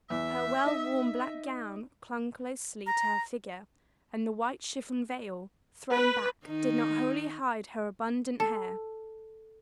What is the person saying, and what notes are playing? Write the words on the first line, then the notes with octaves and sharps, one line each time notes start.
Her well-worn black gown clung closely to her figure, and the white chiffon veil, thrown back, did not wholly hide her abundant hair.
E2 E5
D#4 D#5
A#5
B4
D#3 D#4
A4